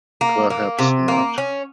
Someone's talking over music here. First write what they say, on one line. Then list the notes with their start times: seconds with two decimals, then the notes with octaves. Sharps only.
Perhaps not.
0.21 A#3
0.50 A#3
0.79 C3
1.08 A#3
1.38 C#4